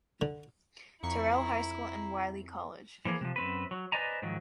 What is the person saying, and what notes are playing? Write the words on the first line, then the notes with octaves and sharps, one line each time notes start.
Terrell High School and Wiley College.
D3
F2 E4 A#5 C#6 C7
E3 F3 A#3 G#4
C3 F3
F#2 C4 B4
F#3
B4 C5 D5 D#5 G#5 A#5
G#2 D#3 F3 F#3